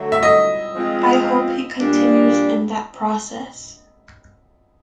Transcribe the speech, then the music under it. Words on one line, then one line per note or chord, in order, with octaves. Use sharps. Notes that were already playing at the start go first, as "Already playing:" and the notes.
I hope he continues in that process.
Already playing: D3 F#3 A3
E5
D#5
F3 G#3 C4 F4 G#4
A#2 G3 A#3 D4